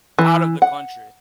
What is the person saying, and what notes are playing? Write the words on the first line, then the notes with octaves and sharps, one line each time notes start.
out of the country.
E3
F#5